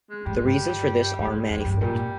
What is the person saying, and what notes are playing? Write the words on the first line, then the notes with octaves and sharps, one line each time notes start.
The reasons for this are manifold.
G#3
G#2 G3
G2 G#3
G3
G#2 G3
G#3
G3
F2 G#3
G3
G2
G3
A#2 G3